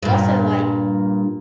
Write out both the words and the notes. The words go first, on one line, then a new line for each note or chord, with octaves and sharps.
also, like,
G2 A#2